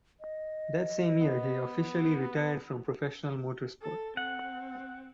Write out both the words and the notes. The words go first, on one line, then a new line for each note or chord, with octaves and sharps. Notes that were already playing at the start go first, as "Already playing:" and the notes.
That same year he officially retired from professional motorsport.
D#5
B3
A4
C4 F#5